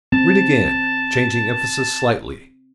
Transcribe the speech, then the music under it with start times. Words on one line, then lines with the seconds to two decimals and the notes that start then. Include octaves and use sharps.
Read again, changing emphasis slightly.
0.12 C4 A5